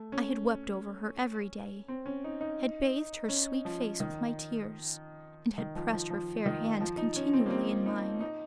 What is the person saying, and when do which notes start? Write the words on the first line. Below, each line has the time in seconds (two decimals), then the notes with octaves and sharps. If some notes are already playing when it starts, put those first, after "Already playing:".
I had wept over her every Day--had bathed her sweet face with my tears and had pressed her fair Hands continually in mine--.
Already playing: A3
0.12 C#4
1.88 C4
2.06 C#4
2.24 D#4
2.41 D#4
3.29 C#4
3.65 F3
4.00 D#3
5.58 D#3
5.75 F3
5.92 F3
6.10 F3
6.46 D#3
6.80 F3
6.98 D#4
7.16 C#4
7.33 C4
7.46 A#3
7.50 C4
7.86 D#4
8.21 D#4